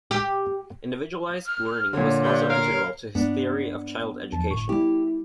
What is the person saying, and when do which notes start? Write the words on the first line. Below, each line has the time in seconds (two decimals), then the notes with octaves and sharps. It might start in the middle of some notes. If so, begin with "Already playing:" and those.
Individualized learning was also integral to his theory of child education.
0.11 G4
1.46 F6
1.93 A#2 D3 C#5
2.22 G2
2.49 A#4 F5
3.15 G2 A#3 B3 D4
4.32 E2 F3 A5
4.51 G1 A2 C#6
4.69 G3 B3 E4 G4